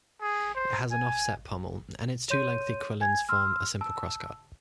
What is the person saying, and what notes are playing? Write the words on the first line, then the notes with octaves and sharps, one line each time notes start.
It has an offset pommel, and its two lengthy quillons form a simple crossguard.
G#4
C5
G#5
C#5 C6 G6 D#7
G#5 G#6
C6 E6 F6
A5 E6